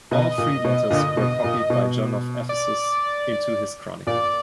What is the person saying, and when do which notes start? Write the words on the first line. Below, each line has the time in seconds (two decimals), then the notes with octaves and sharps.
All three letters were copied by John of Ephesus into his chronicle.
0.11 B2 D#5
0.38 A#2
0.64 B2
0.91 A#2 D3
1.17 B2
1.44 A#2
1.70 B2
2.49 D5
4.07 A#2 D5